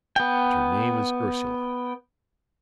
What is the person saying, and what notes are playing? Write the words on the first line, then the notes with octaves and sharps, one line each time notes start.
And her name is Ursula.
B3 G5